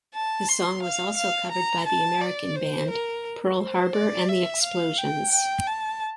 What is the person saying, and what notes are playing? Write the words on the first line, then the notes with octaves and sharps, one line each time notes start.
The song was also covered by the American band Pearl Harbor and the Explosions.
A5
C6
F5
F5
A#5
A5
D5
C5
A#4
C5
D5
E5
F5
G5
G5
A5